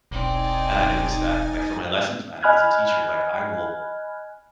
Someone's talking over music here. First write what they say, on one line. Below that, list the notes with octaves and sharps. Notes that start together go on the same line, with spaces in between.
And I noticed that, like, for my lesson planning as a teacher, like, I will
E1 B1 C4 D#4 D5 G#5 A6
D#5 G#5 B5 F6 F#6 G#6